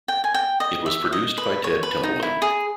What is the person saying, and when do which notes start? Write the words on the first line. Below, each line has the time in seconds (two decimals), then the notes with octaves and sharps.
It was produced by Ted Templeman.
0.08 G5
0.24 G#5
0.34 G5
0.60 D#5
0.86 E5
1.12 D#5
1.38 B4
1.64 C#5
1.83 B4
2.03 D#4
2.23 E4
2.42 G#4